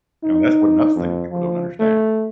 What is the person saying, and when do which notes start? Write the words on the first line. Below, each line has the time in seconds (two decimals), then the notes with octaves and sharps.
You know? That's what another thing that people don't understand.
0.23 D#4
0.96 F2
1.31 F3
1.80 A3